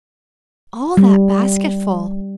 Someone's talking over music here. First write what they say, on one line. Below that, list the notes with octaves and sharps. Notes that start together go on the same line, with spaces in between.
"All that basketful!"
G3